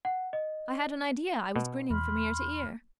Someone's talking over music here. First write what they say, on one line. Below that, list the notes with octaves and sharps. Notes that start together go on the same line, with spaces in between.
"I had an idea I was grinning from ear to ear."
F#5
D#5
B2
E2 B5 C6 F6